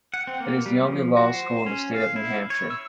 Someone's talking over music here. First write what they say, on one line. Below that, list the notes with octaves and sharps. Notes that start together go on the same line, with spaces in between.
It is the only law school in the state of New Hampshire.
F#5
C4
A#3
G3
F3
F#4
C5
C#4
F5
E4
C#5
E6